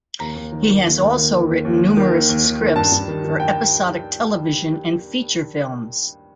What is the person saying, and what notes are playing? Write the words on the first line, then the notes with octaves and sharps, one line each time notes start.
He has also written numerous scripts for episodic television and feature films.
D#2 A#5
D#2
D#3
D#3
D#2
D#2
D#3
D#3
D#2
D#2
D#3
D#3
D#2
D#2
D#3
D#3
G2 A5
G2
D#3
D#3
G5